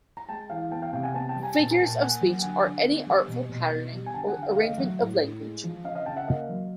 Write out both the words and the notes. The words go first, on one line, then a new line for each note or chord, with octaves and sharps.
Figures of speech are any artful patterning or arrangement of language.
A#5
G#3 G5 A5
E3 F5 G5
B3 G5 A5
F5 G5
C3 F5 G5
F#5 G#5
B3 G5 A5
G5 A5
G3
G#5 A#5
A#2 G5 A5
G#5 A#5
A#2
G5 A5
A#3 F#5 G#5
F#3
G5
D3 F#5 G#5
D3
B3
G3
B2
B2
B3
G3
G#5
D3 G5 A5
F#5 G#5
D3
F5 G5
A3 D#5 F5
F#3 E5 F#5
A2
A2
G#3
F3
C#3 D#5 F5
D#5 F5
C#3 G5 A5
E5 F#5
A#3 D#5 F5
F#3